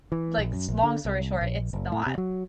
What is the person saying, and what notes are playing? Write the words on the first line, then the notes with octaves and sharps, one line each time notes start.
like s long story short, it's not
E3
A#1
F#2
A#1
D3
C2
A#1
F#1
A2
C3
F#3